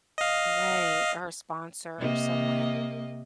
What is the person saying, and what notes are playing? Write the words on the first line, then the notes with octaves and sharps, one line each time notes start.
Right. Or a sponsor or someone.
D#5 F5
C3 A#3 D#5